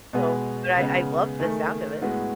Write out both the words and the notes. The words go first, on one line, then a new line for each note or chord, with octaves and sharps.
No, but I I love the sound of it.
B2 G#3 B3 G#4
C#3 G#3 B3
D#3 A3 G#4
A2 G#3 B3 F#4